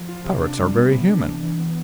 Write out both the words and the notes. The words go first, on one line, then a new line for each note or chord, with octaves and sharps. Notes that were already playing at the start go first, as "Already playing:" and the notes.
Parrots are very human.
Already playing: F3
F4
C3
D4
G3
B3
C3
D4
E3
E3
B3